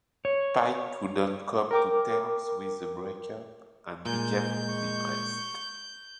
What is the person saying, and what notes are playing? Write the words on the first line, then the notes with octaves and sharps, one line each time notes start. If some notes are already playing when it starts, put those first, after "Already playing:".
Pike couldn't come to terms with the break-up and became depressed.
C#5
A#4 G5 D6
A#2 G#3 G#5 G6
C#6